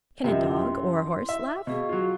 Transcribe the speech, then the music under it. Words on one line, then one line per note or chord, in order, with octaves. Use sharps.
Can a dog, or a horse laugh?
F#2 C3 F4 D#5 E5
E4 C6
E5
B2 G#4 F5 C#6
F#3 F4